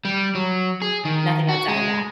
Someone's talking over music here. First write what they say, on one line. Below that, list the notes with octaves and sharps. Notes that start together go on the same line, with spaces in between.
nothing outside of that.
G3
F#3
G#4
D#3
F#4
G#3